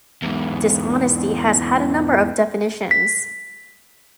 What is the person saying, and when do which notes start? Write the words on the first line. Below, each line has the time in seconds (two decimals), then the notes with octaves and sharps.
Dishonesty has had a number of definitions.
0.22 E2 G#2
2.91 B6